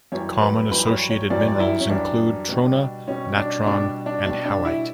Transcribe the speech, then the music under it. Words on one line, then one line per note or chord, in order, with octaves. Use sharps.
Common associated minerals include trona, natron and halite.
F#2 E3 G3 C#5
B4
F#2 E3 G3 B4
B4
C#5
C#5
F#2 E3 G3 D5
C#5
D5
E4
C#4
F#2 E3 G3 D4
B2 G3
B2 G3 C#4
D4
B2 G3 D4
D4
B2 G3 D4
D4
E4